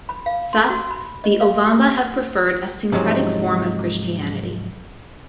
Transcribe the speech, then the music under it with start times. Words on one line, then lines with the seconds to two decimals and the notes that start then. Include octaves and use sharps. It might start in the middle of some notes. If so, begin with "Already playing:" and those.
Thus, the Ovamba have preferred a syncretic form of Christianity.
0.09 B5
0.26 F5
0.53 C6
0.70 F#4
0.91 B5
1.24 D#5
1.41 F5
1.66 G4
2.92 G#2 C3 F3 F#3 G#3